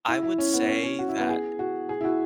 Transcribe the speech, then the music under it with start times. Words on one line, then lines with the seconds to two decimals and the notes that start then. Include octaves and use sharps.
I would say that
0.08 E4
0.23 E4
0.38 C#4
0.54 B3
0.68 C#4
0.84 C#4
0.99 F#4
1.09 E4
1.18 B3
1.29 G#4
1.59 F#4
1.89 G#4
2.01 E4
2.04 F#4